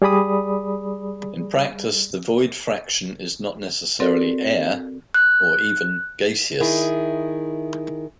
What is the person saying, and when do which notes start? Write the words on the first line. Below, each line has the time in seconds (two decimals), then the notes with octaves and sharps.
In practice, the void fraction is not necessarily air, or even gaseous.
0.02 G3 G#4 D5 B5 D#6
4.00 C4 F#4 A4 A#4 D5
5.14 F#6
6.60 D#3 E4 G#4